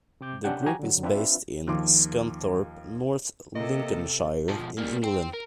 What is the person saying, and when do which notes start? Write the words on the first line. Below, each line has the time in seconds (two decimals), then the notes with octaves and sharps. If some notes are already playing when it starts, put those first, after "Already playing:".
The group is based in Scunthorpe, North Lincolnshire in England.
0.21 C3 C4 D6 G6
0.44 C3 C#4 D4 G4 F#5 G6
0.66 F3 F#4 G4 G#5 A#5
0.79 D3 F#3
1.03 C4 D4 F4 B4 E5
1.67 D#2 F3 C6 D6
3.56 C3 A#3 G4 A4 D#5
4.49 B2 F3
4.79 G3 A#3
5.04 C5 G5
5.33 A#4